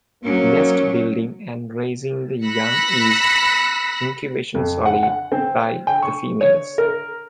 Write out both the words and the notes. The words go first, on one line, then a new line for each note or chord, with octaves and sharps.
Nest building and raising the young is incubation solely by the females.
F#3 A#3 C#4
B5 E6 F#6 A#6 B6 C#7
F2
F#5
F#5
C4
G5
C#6
C#5
A#4